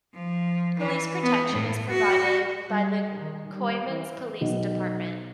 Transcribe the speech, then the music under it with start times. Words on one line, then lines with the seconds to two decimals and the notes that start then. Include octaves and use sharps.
Police protection is provided by the Coeymans Police Department.
0.14 F3
0.78 E3
1.23 B3
1.53 A2
1.90 F#4
2.67 G3
3.11 D#3
3.52 G3
3.85 E3
4.41 B1